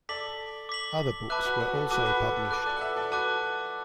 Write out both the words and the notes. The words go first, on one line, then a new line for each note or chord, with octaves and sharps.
Other books were also published.
A4 D5 D6 B6 F#7
D6 B6 F#7
B4 E5 A5 D6 F#6
F#4 B4
F#4
A4
F#4 B4 A5 D6 F#6
F#4 B4
A4
A4
B4
A4 A5 D6 F#6
A4 D5
F#5
B4 E5
A4 D5
F#4 B4 A5 D6 F#6